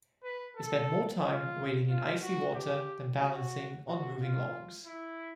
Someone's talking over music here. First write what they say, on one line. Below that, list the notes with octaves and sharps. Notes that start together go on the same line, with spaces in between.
They spent more time wading in icy water than balancing on moving logs.
B4
A4
F4
F4
F#4
G4
F#4
F#4
F4
E4